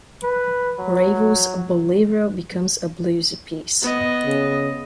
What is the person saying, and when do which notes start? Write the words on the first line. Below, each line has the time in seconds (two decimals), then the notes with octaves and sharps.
Ravel's "Bolero" becomes a bluesy piece.
0.23 B4
0.79 F#3
3.82 B3 D#5
4.26 C#3